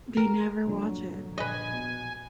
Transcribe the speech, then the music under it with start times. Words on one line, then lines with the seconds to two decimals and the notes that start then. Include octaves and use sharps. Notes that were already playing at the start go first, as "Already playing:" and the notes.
They never watch it.
0.17 A#4
0.67 G2 A#2 D3 F#3
1.38 A#1 B4 D#5 G#5
1.73 B2